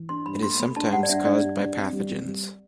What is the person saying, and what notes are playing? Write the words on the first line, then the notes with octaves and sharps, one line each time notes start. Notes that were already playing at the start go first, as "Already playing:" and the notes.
It is sometimes caused by pathogens.
Already playing: E3
D4 C6
G2 B5
A3 C6
A3 B5
D4 A5
G2 F#5
D5
G2 E5
D4 D5
G2
D4
C4
G3
C4
G3